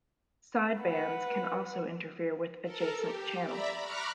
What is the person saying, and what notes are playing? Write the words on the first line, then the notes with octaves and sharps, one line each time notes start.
Sidebands can also interfere with adjacent channels.
B4 F#5
A4 A#4
G4
D5 E5 A#5 B5
A#5 B5 C#6 D6 F6 F#6